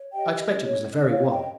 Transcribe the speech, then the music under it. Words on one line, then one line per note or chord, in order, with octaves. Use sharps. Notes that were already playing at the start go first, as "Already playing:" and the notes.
I expect it was the very one!
Already playing: C#5
G4 D#5 G5
D#5
C#4
C#5
C#4 D#5
C#5 F5
C#5 D#5 G5